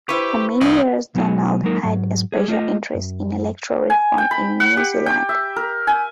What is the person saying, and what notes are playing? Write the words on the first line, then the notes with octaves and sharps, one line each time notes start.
For many years Donald had a special interest in electoral reform in New Zealand.
E4 G4 B4 C5 C#6
C2 D#5
B1 F#3 B3 F#4 G#5
F#3 G#3 A#3 D#4 A#4
G#2 F#3
G3 G#4
A3 F4 D5 D#5
F#2
G#5
G5
B5
F#5
G4
G5
E5
A#4
G#5